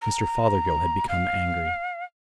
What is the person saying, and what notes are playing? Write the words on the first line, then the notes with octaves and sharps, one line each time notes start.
Mr. Fothergill had become angry.
A#5
F5